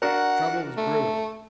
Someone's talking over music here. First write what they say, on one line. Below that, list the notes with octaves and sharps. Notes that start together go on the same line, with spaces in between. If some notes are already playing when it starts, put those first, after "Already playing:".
Trouble is brewing.
D4 F#4 A#4 F#5
A3